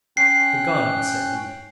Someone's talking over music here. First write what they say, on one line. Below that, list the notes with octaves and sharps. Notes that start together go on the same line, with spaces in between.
"The gun!" said he.
C#4 G5 F#6 C7